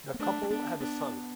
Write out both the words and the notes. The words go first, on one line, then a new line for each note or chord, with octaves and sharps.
The couple have a son.
B3
A3 D4
A3
B3 D4
B3 D4